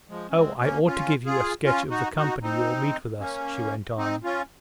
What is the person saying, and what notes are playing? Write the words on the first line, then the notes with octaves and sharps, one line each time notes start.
"Oh, I ought to give you a sketch of the company you will meet with us," she went on.
F3 G#3
C#4
G#3 C4
A#3 C#4
C#4 F4
F4 G#4
C#4 F4
D#4 F#4
D#4 F#4
C4 D#4
A#3 C#4
C4 D#4
C#4 F4